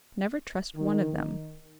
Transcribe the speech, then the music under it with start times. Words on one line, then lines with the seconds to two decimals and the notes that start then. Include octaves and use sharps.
Never trust one of them.
0.75 D#3